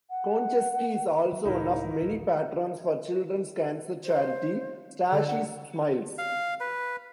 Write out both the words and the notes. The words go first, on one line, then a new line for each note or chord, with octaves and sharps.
Konchesky is also one of many patrons for Children's Cancer Charity "Stacey's Smiles".
F#5
F#3
C#2 A2 D#4 E4 A#4
A1 D2 F#3
C5
D3 A4
F#5
F5
B4